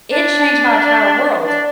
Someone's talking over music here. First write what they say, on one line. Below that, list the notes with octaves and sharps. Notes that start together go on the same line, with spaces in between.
it changed my entire world.
D4
D4